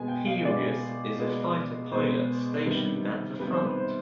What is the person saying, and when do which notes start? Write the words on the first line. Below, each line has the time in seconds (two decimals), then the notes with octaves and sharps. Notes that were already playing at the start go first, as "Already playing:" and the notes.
Pirius is a fighter pilot stationed at the front.
Already playing: B2 G#3 B3 G#5
0.08 G5
0.26 F5
0.45 B2 G#3 B3 D5
1.18 B2 G#3 B3
1.92 B2 G#3 B3 C5
2.66 C3 D#3 G3 B3
3.39 C3 D#3 G3 B3 B4
3.52 C5
3.65 B4
3.78 C5